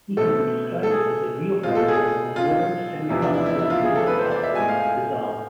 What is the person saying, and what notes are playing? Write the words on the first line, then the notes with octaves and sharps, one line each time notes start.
He can be described as the real founder of modern semi-classical and non-classical ghazal.
B2 A3 C4 A4
A4
G#4
B2 G#3 C4 F4
A4
G#4
F4
E2 C3 F3 B3 E4
D4
E4
E4
E4
F4
G#4
A4
B4
C5
D5
E5
A2 G#3 C4 G#5
F5
G#5